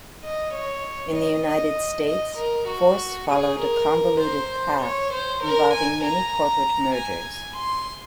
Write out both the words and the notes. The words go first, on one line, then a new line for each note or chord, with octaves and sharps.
In the United States, Force followed a convoluted path involving many corporate mergers.
D#5
C#5
D#5
D#5
D#5
A#4
F#4
G#4
A#4
C5
C#5
C5
A#4
G#5
A#5
G#5
C6